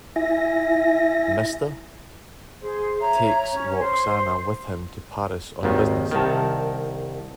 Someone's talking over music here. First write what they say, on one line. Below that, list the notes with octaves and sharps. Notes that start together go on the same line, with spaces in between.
Mr. -- takes Roxana with him to Paris on business.
E4 E5 G#5 A#6
G#4 C5
C#5 E5 A#5
C#4 C#5
C5
G#1 D#2 D#3
C2 D#3 A#4 A5